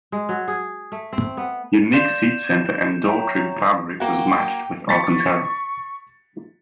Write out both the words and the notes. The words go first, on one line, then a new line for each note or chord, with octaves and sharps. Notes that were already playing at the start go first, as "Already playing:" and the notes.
Unique seat center and door trim fabric was matched with Alcantara.
G#3
F#3
G#4
A3
C4
B3
D5 F5 C6 G6 E7
F#3 E5 G5 A#5
A#3 F#4 G5
C#6 A6 B6 C#7